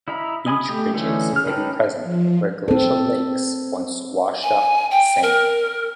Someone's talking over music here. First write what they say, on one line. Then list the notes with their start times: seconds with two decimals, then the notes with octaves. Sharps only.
Beach ridges may be present where glacial lakes once washed up sand.
0.08 E4 D#5 E5 A#5 B5
0.46 D#5 G#5 B5 D#6
0.69 A3 G4
0.94 D3 E3 A3 C#4 D#4
1.33 C#3 F6
1.46 C#4 D#4 B4 G5 A5
2.03 F3
2.68 C4 A4
4.43 G#5
4.91 G5
5.22 A#4